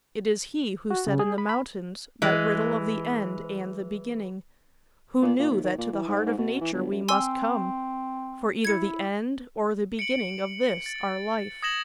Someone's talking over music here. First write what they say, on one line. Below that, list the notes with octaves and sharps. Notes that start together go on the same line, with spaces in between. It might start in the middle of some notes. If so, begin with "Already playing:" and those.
It is he who said in the mountains that riddle of the end and the beginning--who knew that to the heart of nature we must come, for either the end or the beginning of this, our life.
F#4
C#3
G#4
B5
B5
E3 G#3
A#2
A#2
D#2
D#3
A#2
E3
G#2
G#2
B2
E3
G1
F#2
C4 G#5 C6 E6
E4 G#6 C#7
C#7 D7 F#7
A6
D#6 G#6 A#6 E7 F#7